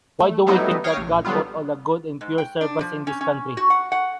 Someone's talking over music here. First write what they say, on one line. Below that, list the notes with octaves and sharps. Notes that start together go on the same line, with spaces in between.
Why do we think that God put all the good and pure servants in this country?
A3
F#3 G3 A3 B3 D#4 E4
C#5 F5 G5 D#6 F6 A#6
A#1
D3 F#3 G3 B3 F4
G#2
G5
D4
F3
C#4
C#4
F#4
F#5
F#5